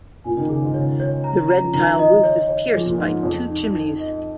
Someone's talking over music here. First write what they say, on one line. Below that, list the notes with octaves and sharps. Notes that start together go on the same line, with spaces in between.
The red tile roof is pierced by two chimneys.
A#2 G#5
D#3
C#3 G#4
G#2
C#3 C#5
C#5
A#5
A#5
F3
D#3 A#5
D#5
C#5
C#5
F3 G#4
A#2
G#2 G#4
F2 G#4
D#4
D#4
D#5